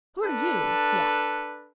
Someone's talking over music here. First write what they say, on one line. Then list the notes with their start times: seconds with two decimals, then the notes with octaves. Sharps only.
"Who are you?" he asked.
0.23 D4 A4 B4